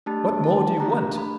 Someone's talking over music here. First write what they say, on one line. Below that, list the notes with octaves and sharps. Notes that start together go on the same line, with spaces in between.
What more do you want?'
A3 D4 G4 A5
A5
A3 D4 G4 A#5
B5